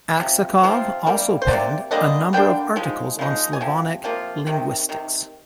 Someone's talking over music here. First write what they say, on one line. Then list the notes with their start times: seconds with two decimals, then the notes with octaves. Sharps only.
Aksakov also penned a number of articles on Slavonic linguistics.
0.20 C3 F3
0.63 C3 F3 C4 F4
1.06 C3 G3 A#3
1.42 C5
1.48 C3 G3 A#3 D5
1.91 D3 G3 A#3 D4 D#5
2.33 D3 G3 A#3 D4 G5
2.76 F3 G#3 D#4
3.19 F3 G#3 D#4
3.53 G#5
3.61 C3 F3
4.04 C3 F3 A#3 F4
4.47 C3 D#3
4.89 C3 D#3